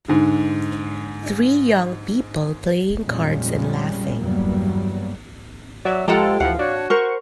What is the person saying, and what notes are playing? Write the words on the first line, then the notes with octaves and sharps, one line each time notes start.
Three young people playing cards and laughing.
G#2 D3
F2 A#2 F3 G3 G#3 C#4
E2 G2 F#3 G3 A#3 B3
F#3 D5 E5
F3 G#3 F4 G4 A4 F#5 A#5
D2 E3 F3 F5 F#5
D4 F#4 C#5
A#4 C5 F#5 C#6